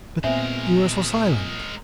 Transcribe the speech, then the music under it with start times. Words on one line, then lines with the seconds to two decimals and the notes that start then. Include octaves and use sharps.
But you are so silent.
0.24 A#2 G#3 B3 C4 A#4 E5 G#5